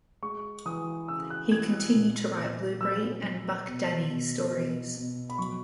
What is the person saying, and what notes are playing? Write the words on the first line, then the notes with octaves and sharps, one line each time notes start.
He continued to write "Blueberry" and "Buck Danny" stories.
G#3 C#6
E3 D#6
C#3 E6
F#6
E3 G#6
F#6
A#2
A#2
F#3 E6
F#3
B2
B2
B2
B2
B5
F#3 C#6